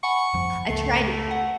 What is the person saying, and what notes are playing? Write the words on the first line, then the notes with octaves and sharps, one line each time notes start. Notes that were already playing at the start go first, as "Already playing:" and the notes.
I tried t
F#5 G#5 B5 C#6
G1 F2 F3
C#2 A3 C7
F#5